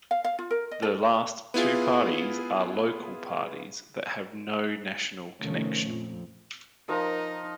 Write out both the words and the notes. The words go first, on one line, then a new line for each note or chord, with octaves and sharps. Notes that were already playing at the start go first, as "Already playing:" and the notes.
The last two parties are local parties that have no national connection.
F5
F5
F4
A#4
D#5
A4
B3 E4 F4 G#4
C3 D#3 F3 A3 C#4
F2 A#2 F3
F3 D#4 A#4 D#6